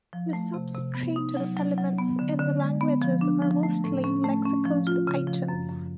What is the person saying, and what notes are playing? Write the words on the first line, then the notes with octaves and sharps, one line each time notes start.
The substratal elements in the languages are mostly lexical items.
F3
A3
C3
C3
B3
D#4
F#3
F#3
F#3
B3
D3
D3
G#3
B3
F3
D4
F3
A3
A2
C#4
A3
C#4
F3
F4
C#3
F3
F#2
F#2